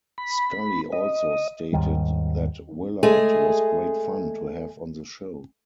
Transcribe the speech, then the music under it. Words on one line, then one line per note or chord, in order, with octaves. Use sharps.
Scully also stated that Willard was "great fun" to have on the show.
B5
D#5
D#2 G#2 D#3 G3
G#3 A3 G#4